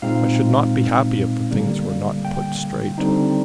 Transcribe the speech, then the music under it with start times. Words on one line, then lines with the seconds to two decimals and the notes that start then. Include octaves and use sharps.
I should not be happy if the things were not put straight.
0.02 A#2 G#3 C4 D#4 F5
1.51 D3 G3 A#3
2.25 G5
2.98 D3 G3 C4 D#4